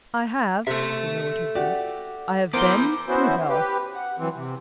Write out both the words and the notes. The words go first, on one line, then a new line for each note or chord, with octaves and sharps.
"I have"--he lowered his voice--"I have been through hell."
C3 A4 E5
F#4 G4 D5
B3 E4 A#4 C5 D6 G6
B3 C#4 E4 F#4 C5
G4 B4
F#5
F#2 E3 C4
C3